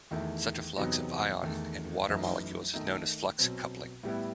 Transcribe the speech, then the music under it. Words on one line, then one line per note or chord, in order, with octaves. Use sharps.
Such a flux of ion and water molecules is known as flux coupling.
E2 D#3 A3 E4
E2 C3 F#3 B3 D#4
E2 D#3 A3
F#2 E3 A3 D#4
D#3 A3 D#4
B2 F#3 C4
A2 G3 B3 E4